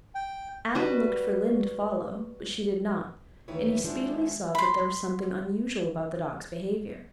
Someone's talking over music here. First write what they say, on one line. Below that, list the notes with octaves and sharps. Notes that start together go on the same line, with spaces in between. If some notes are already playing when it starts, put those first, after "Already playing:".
Alan looked for Lynde to follow, but she did not, and he speedily saw that there was something unusual about the dog's behaviour.
G5
G3 F#4 B4
D2 D#3 E3 E4 B4 C#5
D#3 F3 G#3 B3 D4 E4
B5 C6